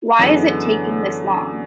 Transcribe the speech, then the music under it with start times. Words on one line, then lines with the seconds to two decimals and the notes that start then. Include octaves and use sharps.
Why is it taking this long?
0.19 F#2 D3 E3 G#3 B3